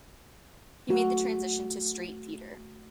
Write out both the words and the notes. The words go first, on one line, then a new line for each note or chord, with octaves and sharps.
He made the transition to straight theater.
A3 F#4